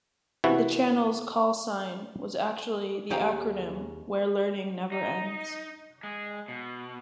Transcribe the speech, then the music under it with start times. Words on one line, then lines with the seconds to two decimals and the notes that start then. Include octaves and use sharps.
The channel's "call sign" was actually the acronym "Where Learning Never Ends".
0.44 C3 E3 E4 F#4
3.10 D#2 C#4 G4 G#4 F5 A#5
4.92 D#4
6.03 G#3
6.48 B2